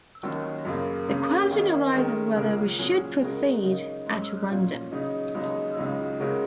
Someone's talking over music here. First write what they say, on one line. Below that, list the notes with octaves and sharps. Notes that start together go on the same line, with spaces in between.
The question arises whether we should proceed at random.
D#2 D#3 F#3 C#4
F#2 C#3 A#3
C#3 A#3 C#4
D#3 A#3 C#4
D#3 G#3 C#4 A#4
C#2 C#3 A#3 C#4 A#4
A#2 F#3 C#4 G#4
C#3 G#3 F#4 A#4
C#3 F#3 D#4 A#4
G#2 G#3 C#4
A#2 F#3 C#4
C#3 F#3 D#4
D#2 C#3 F#3 D#4
C#2 C#3 F#3 D#4
C#3 G#3 C#4 F#4 A#4